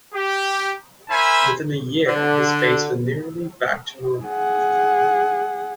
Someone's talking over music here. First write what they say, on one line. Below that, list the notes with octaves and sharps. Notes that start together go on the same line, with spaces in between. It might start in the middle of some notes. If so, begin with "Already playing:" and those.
Within a year, his face was nearly back to normal.
G4
A#4 C5 E5 G#5 B5
D3
G#4 F#5